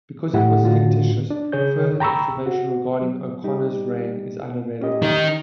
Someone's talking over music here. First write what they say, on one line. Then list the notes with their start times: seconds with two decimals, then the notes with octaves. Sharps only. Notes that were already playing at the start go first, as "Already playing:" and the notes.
Because it was fictitious, further information regarding O'Connor's reign is unavailable.
0.33 A2 E4 G4 F#5
0.64 A2 D3 F4 F#4
1.31 D4
1.52 C#3 G#4 C#5 G6
2.00 G5 A#5 B5 C#6 E6
2.46 F#4
3.02 F#3
3.43 G3 D#4 G4
4.81 C#4 G4 D#5
5.02 D#3 D#4